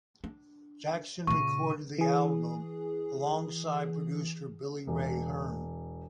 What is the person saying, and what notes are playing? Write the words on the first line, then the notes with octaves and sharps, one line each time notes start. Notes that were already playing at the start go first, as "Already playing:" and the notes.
Jackson recorded the album alongside producer Billy Ray Hearn.
D4
A#2 C#3 C#6
E3 G#4
E1